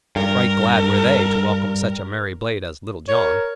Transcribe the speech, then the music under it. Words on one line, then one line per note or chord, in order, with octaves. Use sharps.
Right glad were they to welcome such a merry blade as Little John.
G2 A#4
A#4 C#5